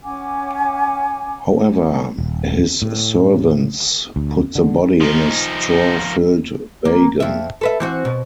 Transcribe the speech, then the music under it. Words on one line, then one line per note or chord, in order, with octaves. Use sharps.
However, his servants put the body in a straw-filled wagon.
C#4 F#5 G#5 D6
D#1
A2
D2
D3
F3 D#4
A#3
F2 E5
A4 B4 E5
E3 C4 F#4
B2